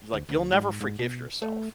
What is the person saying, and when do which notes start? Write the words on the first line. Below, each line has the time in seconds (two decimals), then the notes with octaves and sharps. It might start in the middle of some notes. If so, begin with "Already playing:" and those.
like, "You'll never forgive yourself,"
0.13 D2
0.29 D2
0.52 G#2
0.81 G#2
0.99 B2
1.42 A3